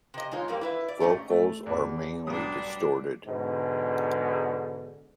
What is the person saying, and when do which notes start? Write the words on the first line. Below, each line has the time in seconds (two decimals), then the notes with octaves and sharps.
Vocals are mainly distorted.
0.14 C3 D#5
0.31 G#3 D#4 F4 C#5
0.48 F2 E3 G3 A#3 C4
0.61 E4 B4 E5
0.88 D5
1.00 G#2 C3 A3 C#4
1.30 A3
1.66 E2 D5
2.27 B1 G3 D4 D#6
3.26 G#2 B2 D3